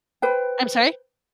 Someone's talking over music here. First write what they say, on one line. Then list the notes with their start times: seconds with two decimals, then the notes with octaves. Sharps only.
I'm sorry?
0.22 B4 C5 G5